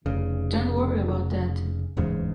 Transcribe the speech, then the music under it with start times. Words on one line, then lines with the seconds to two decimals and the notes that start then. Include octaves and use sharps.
Don't worry about that.
0.06 F1 C#3
1.97 D1 E2 G#2 C#3